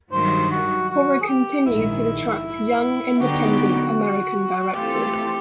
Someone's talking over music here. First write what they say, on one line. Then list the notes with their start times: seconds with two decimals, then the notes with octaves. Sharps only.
Horror continued to attract young, independent American directors.
0.12 G2 D#3 F#3 C5
0.50 F#4
0.89 F#4
1.21 G#4
1.27 G4
1.66 A#1 G#2 D#3 E4
3.19 D3 F#3 B3 D#4 F#4 G4
4.73 E3 A3 C4 F4 G4 A4